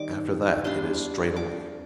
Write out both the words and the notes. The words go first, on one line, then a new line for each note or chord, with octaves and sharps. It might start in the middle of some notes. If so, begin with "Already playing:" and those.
"After that it is straight away."
Already playing: D#3 G3 C4 D#4 D6
G3 D4 C6
D6